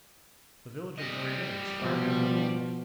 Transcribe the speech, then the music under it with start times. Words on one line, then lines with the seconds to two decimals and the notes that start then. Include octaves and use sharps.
The village of Nareda is far down indeed.
0.98 G3 D#5
1.79 B2 F3